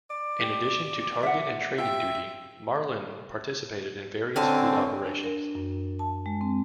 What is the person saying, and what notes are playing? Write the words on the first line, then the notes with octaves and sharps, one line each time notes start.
In addition to target and training duty, "Marlin" participated in various fleet operations.
D5
G4
E5 F#5
F4 G4 E5 G5
D3 C4 C#4 G#5 A5
D4
A#4
F#2
A5
G#3
C4